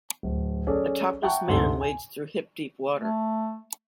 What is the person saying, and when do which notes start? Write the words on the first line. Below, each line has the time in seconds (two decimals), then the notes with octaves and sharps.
A topless man wades through hip deep water.
0.23 D1
0.67 C#4 G#4 A4 D5
1.22 E5 F#5 G5 A5 A#5 C#6
1.48 D2 G#2 C3 A4
1.81 G#5
2.95 A3